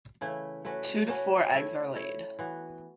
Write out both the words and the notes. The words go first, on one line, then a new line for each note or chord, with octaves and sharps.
Two to four eggs are laid.
C#3 E3 A3 E4
A3 C#4 F#4 B4
A3 C#4 F#4 B4
A3 E4 A4 C#5
A3 E4 A4 C#5
E3 B3 F#4